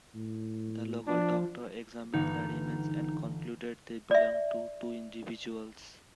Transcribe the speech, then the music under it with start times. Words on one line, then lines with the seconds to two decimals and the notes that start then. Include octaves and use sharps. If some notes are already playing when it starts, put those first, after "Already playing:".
A local doctor examined the remains and concluded they belonged to two individuals.
0.15 A2
1.07 F3 D4
2.14 G1 E3 D#4 F#5
4.11 D5 E5